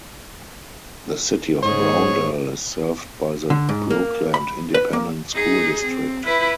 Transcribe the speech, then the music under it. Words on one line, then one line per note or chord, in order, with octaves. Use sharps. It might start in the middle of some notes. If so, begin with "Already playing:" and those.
The City of Browndell is served by the Brookeland Independent School District.
G#2 G#4 C#5
D3
G#2
A#3
B5
B4
A#3
D#4 G#4
C4
E4 B4